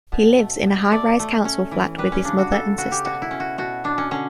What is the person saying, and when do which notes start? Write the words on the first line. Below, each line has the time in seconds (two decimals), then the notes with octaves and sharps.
He lives in a high rise council flat with his mother and sister.
0.12 B2
0.39 A3
0.66 B2
0.92 A3 D5
1.19 A3
1.45 C#4
1.71 E3
1.98 G3 B4
2.12 C#4
2.24 C#3 D4
2.38 F#4
2.51 C#3 A4
2.78 C#3 F#4
2.92 G4
3.05 B2 F#4
3.22 E4
3.31 C#4
3.40 F#4
3.58 B2 F#4
3.84 B2 D4
3.98 C#4
4.11 D3 C#4